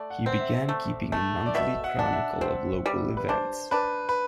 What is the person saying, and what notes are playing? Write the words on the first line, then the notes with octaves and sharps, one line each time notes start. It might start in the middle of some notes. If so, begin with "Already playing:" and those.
He began keeping a monthly chronicle of local events.
Already playing: A3 D5
F#5
C4
E5
A3
A3
D5
B2 E5
F#5
D4
F#5
E5
C4
G3
B4
D4 C5
D4 B4
B4